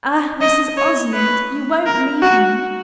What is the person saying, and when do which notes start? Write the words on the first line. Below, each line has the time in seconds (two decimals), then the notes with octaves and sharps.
"Ah, Mrs. Osmond, you won't leave me!"
0.42 D#5
0.77 C#5
1.14 B4
1.86 A#4
2.22 F#4